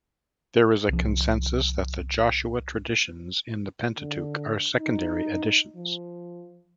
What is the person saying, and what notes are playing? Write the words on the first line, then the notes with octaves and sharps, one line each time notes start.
There is a consensus that the Joshua traditions in the Pentateuch are secondary additions.
C2 F3
D3
D#4
F3